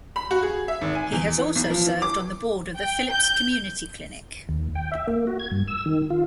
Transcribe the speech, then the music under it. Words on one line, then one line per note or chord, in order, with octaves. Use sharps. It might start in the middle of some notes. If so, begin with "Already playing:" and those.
He has also served on the board of the Phillips Community Clinic.
B5
F#4
G#4
E5
G#1
G#5
E2
E3
B1
F3
E3
D6
G5
G6
D#2
G5
E5
A#3
F#4
G#6
G2
E6
D#3
F4